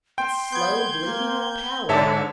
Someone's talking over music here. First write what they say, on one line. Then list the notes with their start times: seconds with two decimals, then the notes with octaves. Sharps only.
It's slow bleeding of power.'
0.18 G5 C6
0.52 B3 G6 G#6
1.05 A#3
1.89 G#2 D3 A4 C#5 D5 E5 A5